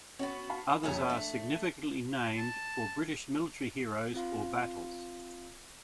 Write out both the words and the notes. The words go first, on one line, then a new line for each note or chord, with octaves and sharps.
Others are significantly named for British military heroes or battles.
B3 C#4 F#4
F5 A5 B5
A#1 F2 C#5 E5 G#5
A3 D4
A5
C4 F4 F5 C6